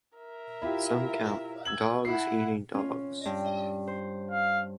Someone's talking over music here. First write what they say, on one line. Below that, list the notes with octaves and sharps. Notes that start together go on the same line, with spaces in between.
Some count "Dogs Eating Dogs".
A#4 E5
E4 F4 G4
E6 G#6 F#7
E4 F#5 C7
C#4 F4
G2
C5
F5